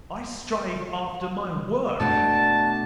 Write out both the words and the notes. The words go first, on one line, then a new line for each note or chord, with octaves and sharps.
I strive after my WORK!
B2 A3 D4 A5